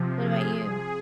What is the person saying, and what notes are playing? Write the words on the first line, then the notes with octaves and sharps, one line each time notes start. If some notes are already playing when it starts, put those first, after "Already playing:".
What about you?
Already playing: C3 F3
G#4
G#4